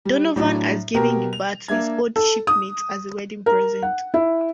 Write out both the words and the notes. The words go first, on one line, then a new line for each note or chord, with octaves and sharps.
Donovan has given the bar to his old shipmate as a wedding present.
G3
A2 F#3 D4
B2 G4 A#4
F7
A#3 D4 E5 G#6
A4
D#6
A#4
F#5
E4